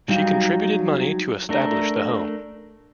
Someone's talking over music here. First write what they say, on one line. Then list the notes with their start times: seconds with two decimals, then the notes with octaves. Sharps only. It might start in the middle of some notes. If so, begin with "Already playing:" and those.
She contributed money to establish the home.
0.08 F#3 G3 D#4 F5
1.49 A3 D4 A#4